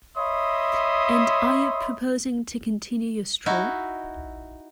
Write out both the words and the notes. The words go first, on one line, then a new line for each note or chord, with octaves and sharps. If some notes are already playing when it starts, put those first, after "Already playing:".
And are you proposing to continue your stroll?
C#5 D#5 E5 B5 C6 D#6
D#4 E4 F#4